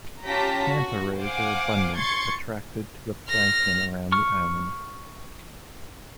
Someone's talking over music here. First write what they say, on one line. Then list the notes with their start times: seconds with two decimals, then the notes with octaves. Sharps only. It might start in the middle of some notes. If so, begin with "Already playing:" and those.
Manta rays are abundant, attracted to the plankton around the island.
0.25 C#4 F4 G4 A5 A#5 B6
0.66 F#4
1.17 C5 F5 F#5 G#5 D6
1.95 C6 C#6 G#6 A6 C#7
3.29 F6 A#6
4.12 C#6 F6